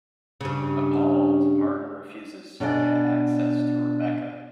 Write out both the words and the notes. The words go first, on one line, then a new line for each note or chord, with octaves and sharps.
Appalled, Martin refuses Sonia access to Rebecca.
G2 C#3
B2 D4 D5 D#5 G5 G#5